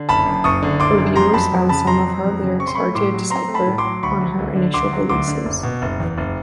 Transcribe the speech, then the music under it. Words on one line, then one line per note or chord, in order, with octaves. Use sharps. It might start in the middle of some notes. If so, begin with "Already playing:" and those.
Reviewers found some of her lyrics hard to decipher on her initial releases.
Already playing: D3
F#1 A5 B5
F#2
F#1 C#6 D#6
D3
F#1 C6 D6
F#2
F2 A#5 C6
F#3 A5 B5
F2
C#3 A5 B5
F2 A#5 C6
F#3
F2
C#3
C4 C#6
C6
A3 B5 C#6
A2 C6 D6
F#3
C4 A#5 C6
A3
A5 B5
A2
C6 D6
F#3
D2 B5 C#6
F#3
D2
D3
D2 C6 D6
F#3
D2 C6 D6
D3
F#1
B2
F#1
E2
F#1